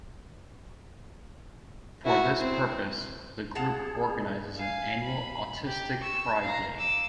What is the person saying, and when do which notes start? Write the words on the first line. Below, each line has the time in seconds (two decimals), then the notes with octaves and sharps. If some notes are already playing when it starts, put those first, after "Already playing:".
For this purpose, the group organizes an annual Autistic Pride Day.
2.05 E4 F#4
2.39 C4
3.55 F4 G#4 F#5 A5
4.56 F5 G#5
5.02 B5
5.65 G4
6.01 C#6 E6
6.41 F5 A#5
6.77 D6 E6